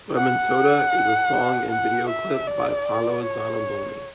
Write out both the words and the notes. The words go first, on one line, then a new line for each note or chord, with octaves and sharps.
Lemonsoda is a song and a video clip by Paolo Zanaboni.
F#5
F#5
E5
D5
C#5